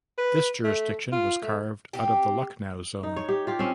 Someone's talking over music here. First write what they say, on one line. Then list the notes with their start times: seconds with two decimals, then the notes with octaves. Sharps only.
This jurisdiction was carved out of the Lucknow Zone.
0.18 B4
0.64 A3
1.12 F4
1.42 A3
1.93 C4 G4
3.03 D#4
3.16 C#5
3.29 G4
3.47 F4 G4
3.59 C4 C#4